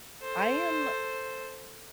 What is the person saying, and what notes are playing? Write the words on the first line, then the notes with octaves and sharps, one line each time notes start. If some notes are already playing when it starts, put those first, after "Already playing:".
I am
A4 C5